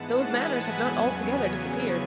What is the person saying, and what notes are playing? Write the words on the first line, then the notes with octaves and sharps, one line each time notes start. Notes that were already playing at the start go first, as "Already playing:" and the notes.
Those manners have not altogether disappeared.
Already playing: G#2 E3 G#3 B3 F#5 A5
G#5 B5
E2 C#3 F#3 B3